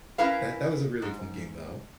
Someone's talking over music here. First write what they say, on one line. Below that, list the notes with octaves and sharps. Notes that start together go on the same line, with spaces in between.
that that was a really fun game, though.
C#4 E4 A#4 B4 F5
G#2